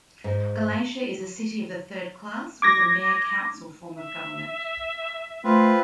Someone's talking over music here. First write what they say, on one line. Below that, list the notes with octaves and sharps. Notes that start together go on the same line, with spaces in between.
Galatia is a city of the third class with a mayor-council form of government.
G#2
D6 G#6 A#6
E5
A3 C4 F4 B4